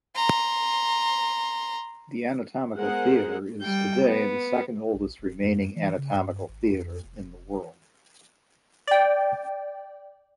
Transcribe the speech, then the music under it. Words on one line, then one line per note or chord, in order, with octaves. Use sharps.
The anatomical theatre is today the second oldest remaining anatomical theatre in the world.
A#5 C6
G#3 B3 G#4 A#4 C5 F#5
G3 G5
B3
A#1
D#1
F#2
E3
C#3
G2
G#1
F2
F1
D5 G5